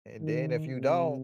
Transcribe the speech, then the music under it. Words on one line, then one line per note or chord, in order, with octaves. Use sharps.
And then if you don't
D#3
C3